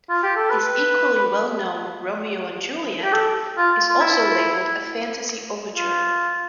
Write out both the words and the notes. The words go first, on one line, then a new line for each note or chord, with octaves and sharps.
His equally well-known "Romeo and Juliet" is also labelled a 'fantasy-overture'.
F4
G4
A4
B4
G4
A4
F4
F4
E4
F4